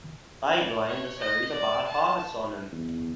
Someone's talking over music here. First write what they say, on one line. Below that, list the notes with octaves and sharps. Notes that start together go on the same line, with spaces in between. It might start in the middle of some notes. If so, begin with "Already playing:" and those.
They blamed a series of bad harvests on him.
D5
C#5
D#5
D5
A5
E2